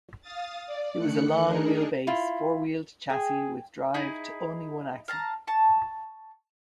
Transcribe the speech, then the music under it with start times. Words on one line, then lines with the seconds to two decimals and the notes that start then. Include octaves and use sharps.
It was a long wheelbase four wheeled chassis with drive to only one axle.
0.21 F5 D#6 A6
0.67 D5
0.97 D#3 A3 F#6 C#7
1.45 D4 D#4 G#4 A#4
2.07 E4 F4
3.10 G#4 G5 G#5
3.94 D#4 E4 G#4
5.08 F5 A5 A#5
5.47 A5 C#6